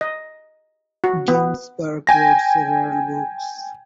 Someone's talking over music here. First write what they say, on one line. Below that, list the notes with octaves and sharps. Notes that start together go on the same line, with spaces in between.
Ginsberg wrote several books.
D#5
F#4
B3
G5 G#5 A#6